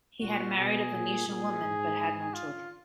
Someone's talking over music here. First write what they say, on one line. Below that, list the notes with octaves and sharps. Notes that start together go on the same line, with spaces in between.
He had married a Venetian woman but had no children.
A#2 F#4
B2 G#4
A#2
A#2 G#4
G#2
F4